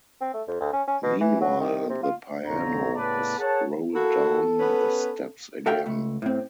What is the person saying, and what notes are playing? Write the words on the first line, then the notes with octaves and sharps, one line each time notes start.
Meanwhile, the piano has rolled down the steps again.
C4
A3
F2
D2
C#4
C#4
B2
E3
F#3
D#3
C3
F4
B1 F2 D3 C4 C#5 A#5
A2 C#3 B3 B4 D5 A5
G#4 A#4 C#5 F#5 A5
A#3 E4 F#4 A4
B3 C#4 B4
F#4 A4 E5 F5 G5
C#2 A3
A2 C4